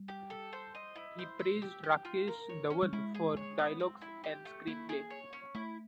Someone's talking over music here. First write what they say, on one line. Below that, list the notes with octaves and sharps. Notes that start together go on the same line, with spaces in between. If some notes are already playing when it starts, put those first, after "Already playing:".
He praised Rakesh Dhawan for dialogues and screenplay.
Already playing: G3
G4
A4
C5
D#5
E4
C5
E5
G4
G4
F4
A#4
C#5
C#4
G3
G#3 E4
G#4
C#5
B3
C4
E4
G4
A3
A#3 E4
G#4
C#5
C#4
A3 E4